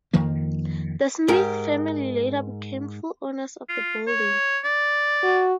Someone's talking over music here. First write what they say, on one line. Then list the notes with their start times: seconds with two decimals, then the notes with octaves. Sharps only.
The Smith family later became full owners of the building.
0.14 F2 D#3 F3 A#3
1.28 G#2 G4 A#4
3.69 F4
4.07 C#5
4.65 D5
5.23 F#4